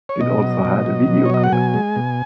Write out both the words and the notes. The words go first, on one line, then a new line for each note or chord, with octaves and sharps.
It also had a video clip.
C#5
B2 D#5
F#3
B2
F#3
B2
C#5
F#3 D#5
F#5
B2 G#5
G#3
B2